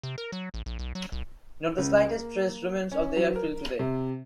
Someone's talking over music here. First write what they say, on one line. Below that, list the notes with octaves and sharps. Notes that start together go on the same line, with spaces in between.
Not the slightest trace remains of the airfield today.
C3
A#4
F#3
A1
A#1
B1
F#3
B1
C#2
A#3
C#4
F#3
A#4
C3